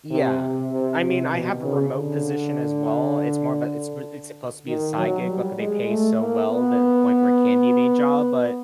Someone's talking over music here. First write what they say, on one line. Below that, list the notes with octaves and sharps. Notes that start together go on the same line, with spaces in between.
Yeah. I mean, I have a remote position as well, it's more of a it's s it's supposed to be a side gig, but they pay so well that the point where it can be a main job but,
C3
C3
C3
C3
B2
C#3
D3
D#3
F#3
G3
G#3
A3
A#3
B3